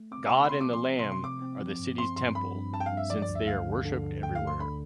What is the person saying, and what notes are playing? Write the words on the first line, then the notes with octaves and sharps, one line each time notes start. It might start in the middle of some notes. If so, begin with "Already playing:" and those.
God and the Lamb are the city's temple, since they are worshiped everywhere.
Already playing: A3
C4 D6
C3 C6
B5
C4 C6
D6
F3
C6
C3
C6
C3
C6
C4 D6
C4
F3
G2
C4 C6
G2 C6
G2 B5
G2
G2 A5
G5
F5
G2
E5
F3 D5
D5
D2
E5
D2 F5
D3
D3
D3
D2 G5
F5
D2
C6
D3 B5